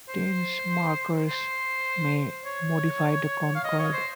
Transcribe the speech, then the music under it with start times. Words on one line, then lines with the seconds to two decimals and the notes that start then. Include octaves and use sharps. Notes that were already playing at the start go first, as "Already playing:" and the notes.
Tense markers may modify the concord.
0.09 C5
1.27 C5
2.45 C#5
3.55 F5
3.64 D#5
3.79 C#5
3.93 C5